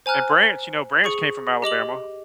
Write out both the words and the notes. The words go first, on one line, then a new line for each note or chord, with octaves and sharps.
And Branch, you know, Branch came from Alabama.
C5 G#5 A#5 F6 F#6
G#4 C#6 C#7
G4 D#5 D6 F#7